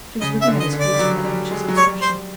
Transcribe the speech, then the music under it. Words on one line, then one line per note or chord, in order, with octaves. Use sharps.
She was looking at his face with an anxious expression.
C#3 D#5
E5
D3
D#5
D3
D5
G3
F#3
G3
G#3
F#3
G3 C#5
C5